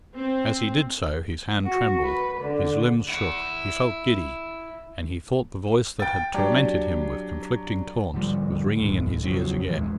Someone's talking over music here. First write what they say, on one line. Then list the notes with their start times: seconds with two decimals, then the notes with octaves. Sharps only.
As he did so his hand trembled, his limbs shook, he felt giddy, and he thought the voice that had tormented him with conflicting taunts was ringing in his ears again.
0.16 C4
1.65 F#4
2.03 B4
2.41 D3
3.08 E4 F#5
6.00 G5 A6
6.34 F#3 D4 G4
8.14 G#2 D3 F3 G3
8.78 D1 F#2 A2 D#3
9.24 A#1 C#3 F3 F#3
9.67 E2 A#2 E3 G#3